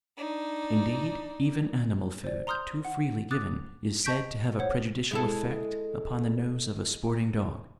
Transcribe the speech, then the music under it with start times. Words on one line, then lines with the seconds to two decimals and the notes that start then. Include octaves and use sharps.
Indeed, even animal food too freely given is said to have a prejudicial effect upon the nose of a sporting dog.
0.17 D4 D#4
2.24 C5 D5
2.47 A#5 C6 D#6 F6 G6
2.85 F#5
3.31 D6 D#6 F#6 A6
4.04 D#5 A5 C#6 G6 B6 D7
4.59 C5 C#5 F#5
5.11 G#3 E4 A4